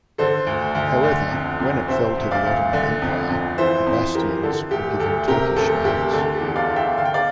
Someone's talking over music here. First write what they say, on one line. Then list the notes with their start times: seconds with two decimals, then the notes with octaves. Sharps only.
However, when it fell to the Ottoman Empire, the bastions were given Turkish names.
0.18 D3 A4 C5
0.47 D2
0.75 D2
1.03 D3
1.31 F2
1.60 F2
1.88 C3 C5 E5
2.17 D2
2.31 D5 F5
2.45 D2
2.73 D3
3.02 F2
3.29 F2
3.58 E3 C5 E5
3.87 F2
4.14 E3 G4 A#4
4.43 D3 A4
4.71 D2 G4
5.00 D2 A4
5.28 C3 G4 A#4
5.56 D2 A4
5.84 D2 G4
6.13 D3 A4
6.34 G4
6.41 E2
6.56 D5 F5
6.70 E2
6.76 E5 G5
6.97 D3 F5
7.05 G5
7.14 D5 F5